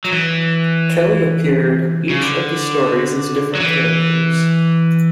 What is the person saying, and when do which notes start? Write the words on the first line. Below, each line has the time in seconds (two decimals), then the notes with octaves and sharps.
Kelly appeared in each of the stories as different characters.
0.04 F#3
0.12 E3
2.10 C#3
2.21 D3
3.55 F#3
3.60 E3